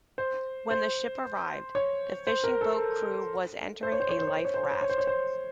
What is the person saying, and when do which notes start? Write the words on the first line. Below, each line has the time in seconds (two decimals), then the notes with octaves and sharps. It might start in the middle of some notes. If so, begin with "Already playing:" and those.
When the ship arrived, the fishing boat crew was entering a life raft.
0.18 C5
0.71 C5
1.75 C#5
2.27 C5
2.44 A#4
2.61 A4
3.83 C5
3.92 C#5
4.01 C5
4.09 C#5
4.19 C5
4.27 C#5
4.37 C5
4.45 C#5
4.54 C5
4.63 C#5
4.71 C5
4.81 C#5
4.90 C5
4.98 C#5
5.07 C5